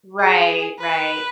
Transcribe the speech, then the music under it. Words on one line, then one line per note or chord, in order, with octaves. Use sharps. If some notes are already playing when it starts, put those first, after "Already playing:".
right. Right.
G#4
B4